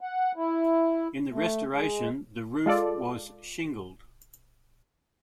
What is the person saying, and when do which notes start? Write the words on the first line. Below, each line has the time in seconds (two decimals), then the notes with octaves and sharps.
In the restoration, the roof was shingled.
0.01 F#5
0.36 E4
1.32 A3
1.72 G#3
2.66 G#3 F4 A4 D5